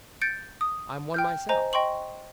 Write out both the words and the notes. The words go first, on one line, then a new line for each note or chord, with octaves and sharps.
"I'm one myself."
G6 A6 C#7 D7
D#6
G5 F6 G6
C5 D#5 G#5 A#5
D#5 G5 C6 C#6 F#7